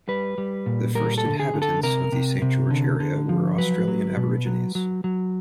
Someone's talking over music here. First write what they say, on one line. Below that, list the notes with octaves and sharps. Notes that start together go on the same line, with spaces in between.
The first inhabitants of the Saint George area were Australian Aborigines.
G3 B4
G3
A#2
G3 A#4
A4
D3
G#4
D3
A4
C3 A#4
C3
C3
D3
D3
F3
F#3 B4
F#3
B2
F#3
F#3
F#3